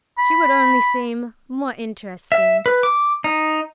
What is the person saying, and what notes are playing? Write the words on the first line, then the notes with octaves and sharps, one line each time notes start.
"She would only seem more interesting."
B5
E5
B4
D6
D#4